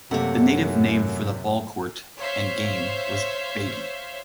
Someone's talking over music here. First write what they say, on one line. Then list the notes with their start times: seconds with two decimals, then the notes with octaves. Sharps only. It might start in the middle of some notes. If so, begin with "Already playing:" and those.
The native name for the ball court and game was "batey".
0.11 F#2 C3 A3 A#3 F#5
2.20 C5 C#5 E5 F5